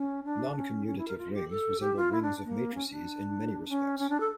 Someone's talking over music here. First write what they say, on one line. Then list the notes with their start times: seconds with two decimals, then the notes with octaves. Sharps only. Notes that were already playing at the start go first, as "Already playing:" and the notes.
Noncommutative rings resemble rings of matrices in many respects.
Already playing: C#4
0.25 D4
0.56 C#4
0.87 C#4
0.98 E4
1.08 A#4
1.18 F4
1.34 G4
1.49 A4
1.80 G4
1.97 F4
2.12 E4
2.22 D4
2.44 A#3
2.75 C#4
2.90 D4
3.69 C#4
3.99 C#4
4.10 D4
4.20 A4